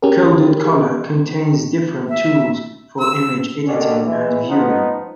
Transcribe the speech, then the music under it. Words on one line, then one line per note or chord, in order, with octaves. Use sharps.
CodedColor contains different tools for image editing and viewing.
C#4 G4 G#4 A#4
E5
E6
D#2 B2 D3 D#3 C#4 D4
E3 G#3
F3 B3 D#4